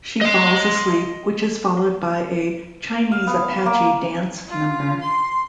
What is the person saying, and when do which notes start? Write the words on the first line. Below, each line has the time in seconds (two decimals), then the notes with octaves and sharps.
She falls asleep, which is followed by a "Chinese Apache Dance" number.
0.21 D#5 C6
3.12 F5
3.27 B3
3.52 F5
3.66 A#3
4.48 F4
5.01 C6